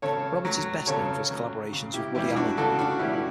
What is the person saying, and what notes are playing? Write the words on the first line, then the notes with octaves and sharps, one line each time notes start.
Roberts is best known for his collaborations with Woody Allen.
C#3 A4 C#5
F#3
C#3 A4 C#5
F#3
C#3
E4 G4
E3 G3 E4 G4
D4 F#4
C#3 F#4 A4
D4 F#4
E3 G3 C#4 E4
F#4